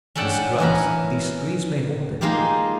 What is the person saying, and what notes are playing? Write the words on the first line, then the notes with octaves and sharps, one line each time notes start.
This grass, these trees, may hold it.
C#4 D4 A4 F#5 G5 A5
E3 C#4 A#4 B5
G#3 A#3 D#4 F4 G4